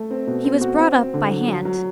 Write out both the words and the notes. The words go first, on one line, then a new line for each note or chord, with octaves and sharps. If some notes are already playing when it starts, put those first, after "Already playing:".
He was brought up by hand.
Already playing: A3
C4
B2
C4
F#4
C4
C4
D3
F#3
F#3
F#3